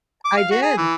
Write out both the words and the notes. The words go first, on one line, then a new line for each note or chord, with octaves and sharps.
I did.
D6
F5
F#4
G#4
E3